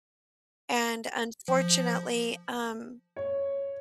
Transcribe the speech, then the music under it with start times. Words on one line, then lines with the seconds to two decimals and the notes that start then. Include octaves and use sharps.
and, unfortunately, um,
1.48 F3
3.16 C#5